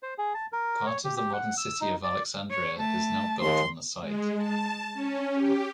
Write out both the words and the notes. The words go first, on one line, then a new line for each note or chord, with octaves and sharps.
Part of the modern city of Alexandria is now built on the site.
C5
G#4
A5
A#4
C#5
G4
G4
F#5
E6
D#4
D5
C#5
A3 A5
D#2 C6
G#3
A5
C#4
G4